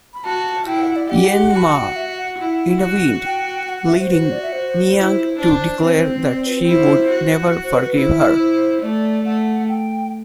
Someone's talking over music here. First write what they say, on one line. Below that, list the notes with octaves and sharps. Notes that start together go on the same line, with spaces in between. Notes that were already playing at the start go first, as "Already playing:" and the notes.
Yen Mah intervened, leading Niang to declare that she would never forgive her.
B5
F#4 A5
E4 G5
F#5
D5
G4 F#5
F#4 B5
A5
G5
F#5
E5
F#5
E4
F#4
G5
F#5
F#5
E5
C5
F#4 B4
C5
D5
E5
C5
E4
D4 C5
C4 C5
D5
C5
B4
C5
E4
F#4
C5
B4
B4
E4 C5
E5
C5
A3 D5
A3 F#5
G5